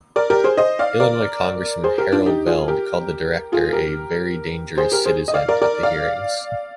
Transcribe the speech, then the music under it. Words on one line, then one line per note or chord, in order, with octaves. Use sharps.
Illinois congressman Harold Velde called the director a "very dangerous citizen" at the hearings.
A#4 D5
G4 A#4
G#4 C5
C5 D#5
D5 F5
A#4 D5
G#4 C5
G4 A#4
D4 F4
D#4 G4
F4 G#4
G4 A#4
F4 G#4
G4 A#4
G#4 C5
G4 A#4
G#4 C5
D#5
D5 F5
A#4 D5
A#4 D5
D5 F5